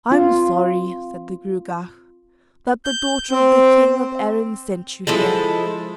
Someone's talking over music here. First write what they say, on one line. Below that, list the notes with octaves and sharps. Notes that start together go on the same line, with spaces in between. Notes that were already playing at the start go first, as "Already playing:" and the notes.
"I'm sorry," said the Gruagach, "that the daughter of the king of Erin sent you here."
C4 F4
G6
C4
F3 G#3 E4 A4